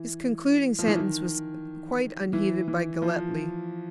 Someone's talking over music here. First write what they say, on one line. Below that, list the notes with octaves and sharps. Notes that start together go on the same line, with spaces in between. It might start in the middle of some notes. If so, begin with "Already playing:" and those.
His concluding sentence was quite unheeded by Galletly.
Already playing: E3
F3
E3
D#3
E3
E3
F3